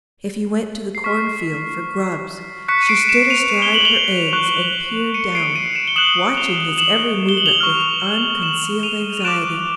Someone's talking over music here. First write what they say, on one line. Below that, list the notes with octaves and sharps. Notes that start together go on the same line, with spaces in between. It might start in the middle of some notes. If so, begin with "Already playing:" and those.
If he went to the corn field for grubs, she stood astride her eggs and peered down, watching his every movement with unconcealed anxiety.
C7
C#6 F6 B6
C#6 F#6 B6 C#7
D#7
C7 D7
D7 E7
D#7 F7
G7
F#7
F7 G7
C#6 F#6
C#7 D#7
C7 D7
C#7 D#7
D7 E7
G7
D#6 F#6 E7 F#7
F7 G7
E7 F#7
G7
F#7
F7 G7
C#6 F6
E7 F#7
D#7 F7
D#7
D6 F#6 D7 E7